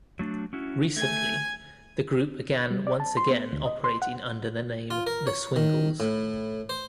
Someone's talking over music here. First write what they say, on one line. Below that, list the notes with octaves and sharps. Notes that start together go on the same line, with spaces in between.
Recently, the group began once again operating under the name The Swingles.
F#3 A3 D4
C#4 E4 F#4
A3 G#5 G#6
G3
D5
A5
C6
B3
D2
D#5
C6
F#5
F4
A#4
C#5
D#3
A2
C5